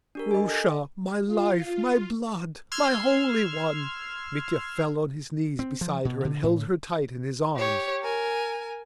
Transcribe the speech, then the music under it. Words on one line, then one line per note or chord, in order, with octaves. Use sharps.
"Grusha, my life, my blood, my holy one!" Mitya fell on his knees beside her and held her tight in his arms.
D4 G4 A#4
D#5 G#5
A4
F4
C6 E6 F6 G#6
C4
F3
B2
D3
A2
G4 C#5
A#4 G#5